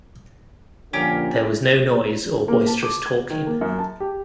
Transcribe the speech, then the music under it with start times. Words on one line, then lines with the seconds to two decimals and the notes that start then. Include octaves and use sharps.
There was no noise or boisterous talking.
0.93 A#2 D3 F3 C#4 G4 A#4
2.48 A#3
2.67 A5
2.83 D6
3.06 G#6
3.30 D#3
3.47 A#3
3.61 F#2
3.79 A5
4.00 G4